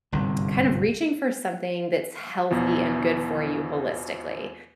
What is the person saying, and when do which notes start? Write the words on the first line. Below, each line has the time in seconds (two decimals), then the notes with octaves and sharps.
kind of reaching for something that's healthy and good for you holistically,
0.12 G1 C2 G#2
2.51 E2 B2 E3 F3